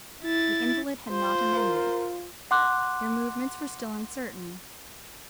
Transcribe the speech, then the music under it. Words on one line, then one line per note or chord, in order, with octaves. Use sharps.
The invalid had not amended; their movements were still uncertain.
E4 A6
F4 C5
A#4
F#5 C6 D6 F#6